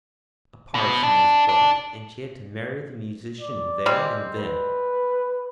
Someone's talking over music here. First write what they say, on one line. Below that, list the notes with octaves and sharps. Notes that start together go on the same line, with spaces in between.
A Parson was brought, and she had to marry the Musician there and then.
B2
D4
D4
D5
G3 G#3 C4
B4